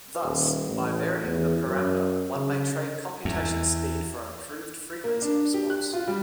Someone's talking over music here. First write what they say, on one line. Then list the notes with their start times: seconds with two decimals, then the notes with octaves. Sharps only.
Thus, by varying the parameter one may trade computation speed for improved frequency response.
0.22 D#1
0.65 A1
1.24 E2
1.65 F#2
2.35 C#3
3.25 E2
5.04 A#3
5.22 D4
5.54 G4
5.70 F#6
5.93 F4
6.08 G3